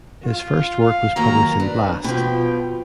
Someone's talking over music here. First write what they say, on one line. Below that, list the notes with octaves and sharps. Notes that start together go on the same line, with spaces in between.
His first work was published in Blast!
F4
F5
D#3 F#3 A#3 A#5
D4 B4
B2 F3 G5